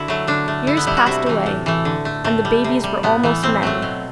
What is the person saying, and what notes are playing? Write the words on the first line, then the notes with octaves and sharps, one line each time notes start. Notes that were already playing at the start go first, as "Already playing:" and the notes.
Years passed away, and the babies were almost men.
Already playing: D3 E4 F#4
F#3 A3
D3 D4
A3
D3 E4
B3
G3 E4
F#4
C3 E4
E3 A3
A2
E3 A3
D3
A3
A2 A3
G3
C3
G3
A2 B3
E3 A3
A2 C4
F#3 A3
B2